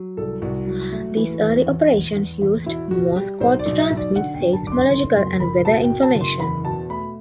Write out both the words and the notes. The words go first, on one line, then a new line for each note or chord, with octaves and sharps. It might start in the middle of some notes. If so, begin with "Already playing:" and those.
These early operations used Morse code to transmit seismological and weather information.
Already playing: F#3
C2 A4
C2 F#4
F#3
A3
E3
E2
E2
E2
E2
E2
B2 E4
B2 F#4
G3 G4
B1 C5
D5
B1
E5
B1
D5
D3 F#5
G5
F#2
A5
D3 D6
C6
F#1 C6
F#2 C6
F#1 B5
B2 A5
G5
B2
A5
F#1
C6
E2 B5
B2 A5
A3 B5